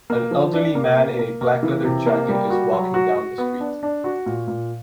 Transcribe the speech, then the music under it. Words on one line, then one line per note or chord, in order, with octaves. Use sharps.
An elderly man in a black leather jacket is walking down the street.
A#3
F3
D4
A#3
A#3
A#3
A#3
E3
C3
A#3
G3
F#4
F#3
F#4
F#4
B3
D4
D4
F#4
A#2
A#2